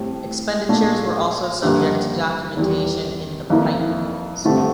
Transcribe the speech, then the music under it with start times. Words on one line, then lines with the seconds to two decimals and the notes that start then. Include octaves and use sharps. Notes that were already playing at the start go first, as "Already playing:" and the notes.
Expenditures were also subject to documentation in the Pipe rolls.
Already playing: A2 G3 C4
0.69 A#2 A3 D4
1.63 G2 D3 F3 A#3
2.57 E2 E3 G3
3.50 F2 E3 A#3 E4
4.45 G2 D3 A3 C4 E4